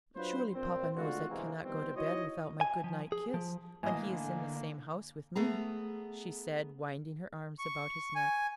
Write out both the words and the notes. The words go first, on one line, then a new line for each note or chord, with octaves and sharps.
"But surely papa knows I cannot go to bed without my good-night kiss when he is in the same house with me," she said, winding her arms about his neck.
F#3 D4 F4 B4 C5
A#2 C4 C5
D3 G#3 A3 F4 F#4
E2 C3 E3 G#3 A#3 C4
D#3 G3 B3 C4 C5
D#4 E4 F#4 C#5 D#5
G#5
F3
G#4
F3
A1 D3 A#3 D#5 G#5
A3 B3 G#4 A#5
C#6
G#5